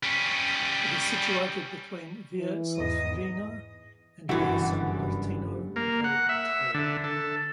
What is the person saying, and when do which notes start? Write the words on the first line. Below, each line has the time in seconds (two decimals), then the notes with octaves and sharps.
It is situated between Via Solferino and Via San Martino della Battaglia.
0.04 G3 C#4
2.39 E3
2.77 E2 G#2 D#5
4.29 F#1 G2 B2 D3 E3 G3 F#4 E5
5.76 A#3
6.04 F#5
6.29 E5
6.74 D3
7.04 A4